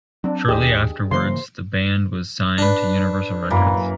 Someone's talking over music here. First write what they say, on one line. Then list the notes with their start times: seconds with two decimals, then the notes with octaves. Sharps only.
Shortly afterwards the band was signed to Universal Records.
0.24 F#3 C4 D4
0.48 D#2 G4 G#4 D#5
1.11 C#3 E3 A#3 C5 C6
2.58 D4 B4
3.50 F#2 E3 A#3